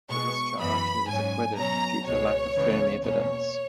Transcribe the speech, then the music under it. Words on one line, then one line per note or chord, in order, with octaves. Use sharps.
For this charge he was acquitted, due to lack of firm evidence.
B2 G#3 B3 C#6
F#2 E3 B3 B5
G#2 F#3 C#4 G#5
B2 F#3 C#4 A#5
C#2 B2 G#3 B3 C#5
C#2 C#3 E3 B3
E2 B2 A#3 C#4 C#5